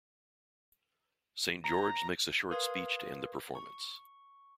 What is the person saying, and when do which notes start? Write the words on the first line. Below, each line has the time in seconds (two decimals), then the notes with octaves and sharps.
Saint George makes a short speech to end the performance.
1.64 A#5
2.51 A#4 B4 F5 C6 D#6 G#6
3.55 C#6